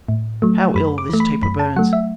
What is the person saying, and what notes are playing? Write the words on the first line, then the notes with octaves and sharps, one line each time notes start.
How ill this taper burns!
A2
F#3 A3
F#2 B5
D6
E3 A3
B5
F#2 B5
A5
F#3 A3 F#5
E5